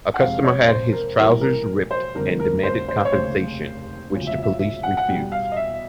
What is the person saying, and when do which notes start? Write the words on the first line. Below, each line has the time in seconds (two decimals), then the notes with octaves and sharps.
A customer had his trousers ripped and demanded compensation, which the police refused.
0.14 F#5
0.19 F2 C3 F3 G#3 F5
0.44 C#5
0.68 C5
0.92 A#4
1.17 B1 A2 E3 G3 A#4
1.41 A#4
1.91 C5
2.15 F1 F2 D3 G3 A#4
2.40 A#4
2.63 C5
2.88 C5
3.05 C#5
3.12 F1 D#2 C#3 C5
4.10 E1 D2 C#3 F3
4.27 E5
4.43 E5
4.59 E5
4.83 F#5
4.97 F#5
5.08 E2 B2 G3 G5
5.32 F5
5.52 D#5
5.56 E5